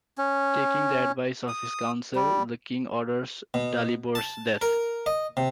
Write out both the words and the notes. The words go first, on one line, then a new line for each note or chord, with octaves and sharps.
Taking the advice of his council, the king orders Dalibor's death.
C#4
D#6
G3
B2
A5
A#4
D#5
C3